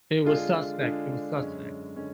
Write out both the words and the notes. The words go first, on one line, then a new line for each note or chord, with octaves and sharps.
It was suspect, it was suspect.
D3 G#3 D4 F4 G#4
D3 G#3 D4 F4 G#4
F#2 D3 G#3 C#4
D3 G#3 C#4